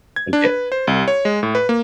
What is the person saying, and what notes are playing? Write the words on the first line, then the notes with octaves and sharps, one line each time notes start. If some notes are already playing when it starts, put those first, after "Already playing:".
And get
G#6
D4
B4
C5
C2
C#5
G#3
A2
B4
A#3